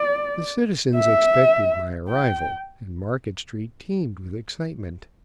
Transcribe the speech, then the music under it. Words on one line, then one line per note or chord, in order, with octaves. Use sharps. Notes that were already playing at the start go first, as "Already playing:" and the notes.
The citizens expected my arrival, and Market street teemed with excitement.
Already playing: D5
E5
G5